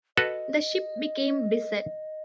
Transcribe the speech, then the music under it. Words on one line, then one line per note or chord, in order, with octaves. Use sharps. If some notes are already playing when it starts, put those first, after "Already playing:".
The ship became beset.
F#4 A4 B4 D#5